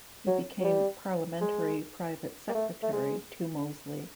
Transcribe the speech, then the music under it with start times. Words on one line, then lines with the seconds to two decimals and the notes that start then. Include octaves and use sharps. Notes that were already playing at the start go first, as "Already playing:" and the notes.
He became Parliamentary Private Secretary to Mosley.
0.27 F#3
0.60 F#3
0.64 G3
1.41 G#3
2.49 A#3
2.55 A3
2.83 A3
2.93 G#3